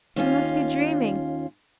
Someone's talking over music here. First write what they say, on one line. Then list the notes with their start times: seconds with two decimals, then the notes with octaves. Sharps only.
I must be dreaming!
0.16 D#2 C#4 F4